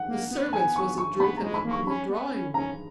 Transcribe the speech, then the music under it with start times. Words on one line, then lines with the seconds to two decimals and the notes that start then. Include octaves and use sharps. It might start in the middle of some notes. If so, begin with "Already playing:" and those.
The servants was a drinkin' up in the drawingroom.
Already playing: F#5
0.09 A#3
0.31 B3
0.53 G#5
0.76 C#6
0.98 C#6
1.20 B3 B5
1.37 G#3 A#5
1.54 B5
1.65 A#3
1.71 C#6
1.87 C#4 B5
2.09 B3
2.32 C#4
2.54 C#4 A#5